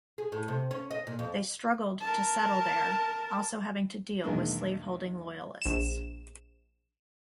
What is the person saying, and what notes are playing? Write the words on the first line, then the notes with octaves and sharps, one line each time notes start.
They struggled to settle there, also having to deal with slaveholding Loyalists.
G#4
A2
C3
C#4
D#5
A#2
F2
A#4 A5
B1 E2 D#3 G#3 A#3 D4
A#1 E7